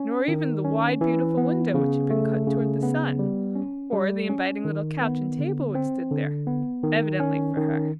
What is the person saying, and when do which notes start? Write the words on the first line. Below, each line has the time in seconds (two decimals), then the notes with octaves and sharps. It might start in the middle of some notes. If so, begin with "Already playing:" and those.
Nor even the wide, beautiful window which had been cut toward the sun, or the inviting little couch and table which stood there, evidently for her.
Already playing: C#4
0.28 D#3
0.64 C#4
1.01 E3
1.37 B3
1.74 C#3
2.10 A3
2.47 C#3
2.83 B3
3.19 G3
3.55 C#4
3.93 G3
4.29 C#4
4.65 D#3
5.01 B3
5.39 D3
5.75 C4
6.11 D3
6.47 B3
6.84 D#3
7.20 C#4
7.57 D#3